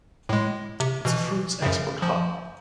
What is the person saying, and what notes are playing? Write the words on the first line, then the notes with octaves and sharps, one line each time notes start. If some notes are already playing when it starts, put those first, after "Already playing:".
It’s a fruit’s export hub.
A2 G#3
C3
B2 E3
F#2 C#3
F3